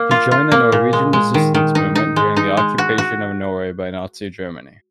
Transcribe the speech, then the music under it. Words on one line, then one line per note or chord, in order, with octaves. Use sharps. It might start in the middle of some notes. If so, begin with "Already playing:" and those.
He joined the Norwegian resistance movement during the occupation of Norway by Nazi Germany.
Already playing: A#3
F4
F4
A#3
A#2
G#3
G#3
D#3
D#3
D#4
D#4
G#3
D#4
G#3
F#4
F#4